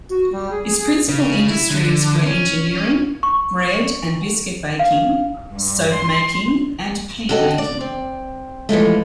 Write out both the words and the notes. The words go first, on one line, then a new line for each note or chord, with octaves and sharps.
Its principal industries were engineering, bread and biscuit baking, soap-making and paint-making.
F#4
G3
G#4
G#4
G#4
C#3
E4
D3
C#4
C#6
F5
G2
C6
F#4 G4 A4 C5 D#5
D5
C4
E3 F3 G#3 A3